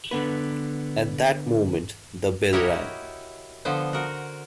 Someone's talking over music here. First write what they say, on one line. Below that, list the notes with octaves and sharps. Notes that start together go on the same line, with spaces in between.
At that moment the bell rang.
D3 B3 B4
E4 F#4 G4 A#4 C#5 D#5
D3 F3 B3 C5
F#4 A#4